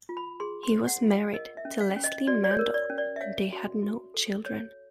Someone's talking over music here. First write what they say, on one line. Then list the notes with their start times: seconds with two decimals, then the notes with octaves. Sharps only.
He was married to Leslie Mandel and they had no children.
0.09 F4
0.17 B5
0.40 G#4 C6
0.63 C6
0.72 C5
0.87 F#5
1.03 F4
1.11 F5
1.34 A#4 D#5
1.57 E5
1.65 C#4
1.81 F5
1.96 C#4
2.04 D#5
2.27 F#4 D5
2.44 D5
2.51 C#5
2.59 A#4
2.74 D5
2.90 C#4
2.98 D5
3.16 E5
3.21 C#5 F5
3.53 F#4
3.83 F#4
4.14 A4
4.46 C#5